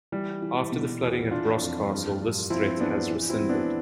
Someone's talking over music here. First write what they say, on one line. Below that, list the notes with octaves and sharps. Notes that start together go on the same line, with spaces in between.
After the flooding at Boscastle, this threat was rescinded.
E3 G3
E3
B2
E2
E3 D4 F4
F2
G2
G2
F3 C4 E4
E2 B3 D4
E3
C4 E4
E3
B3 D4